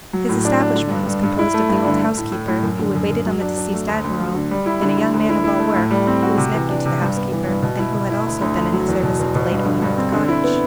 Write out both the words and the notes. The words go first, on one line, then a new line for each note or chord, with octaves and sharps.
His establishment was composed of the old housekeeper, who had waited on the deceased admiral, and a young man-of-all-work, who was nephew to the housekeeper, and who had also been in the service of the late owner of the cottage.
F#3
A2
D4
D4
D3
G2
G2
G2
E4
A3
G2
D3
A3
A2
A2
A2
F#2
D3
F#2
F#2
F#3
D4
D4
A3
D2
D2
F#3
D3
G3
E4
D3
D3
D2
E4
E4
A3
A2
G3
C4
F#4
C3
E3
D4
C3
G2
B3
E3
G2
B2
E4
B2
E4
D2
D2
D2
F#3
E2
B2
E2
B2
G2
D3
G2
C4
D3
E4
B3